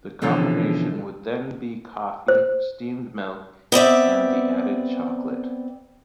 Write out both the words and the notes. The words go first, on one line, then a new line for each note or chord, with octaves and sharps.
The combination would then be coffee, steamed milk, and the added chocolate.
B2 D3 E3 F3 C#4
C5
B3 C4 D5 E5